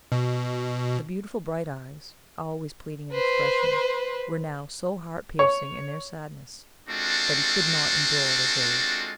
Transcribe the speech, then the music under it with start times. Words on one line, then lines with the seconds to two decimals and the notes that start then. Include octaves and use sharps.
The beautiful bright eyes, always pleading in expression, were now so heart-piercing in their sadness, that he could not endure their gaze.
0.12 B2
3.12 B4 C5
5.39 C#5
6.89 G#3 C4 D4 F4 F#4 A4